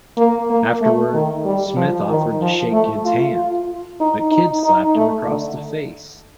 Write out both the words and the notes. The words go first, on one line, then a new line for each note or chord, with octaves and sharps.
Afterward, Smith offered to shake Kidd's hand, but Kidd slapped him across the face.
A#3
A#3
A3
D#3
G3
F3
D#3
F3
A3
F4
F4
D#4
D#4
D#4
A3
D3